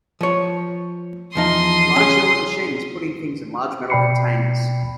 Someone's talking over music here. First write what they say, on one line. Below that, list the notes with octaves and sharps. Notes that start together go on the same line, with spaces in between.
A large yellow machine is putting things in large metal containers.
F3 C#5
E2 F3 D#4 C6 D#6
C#4 G#4
B2 D5 G5 B5 C7 C#7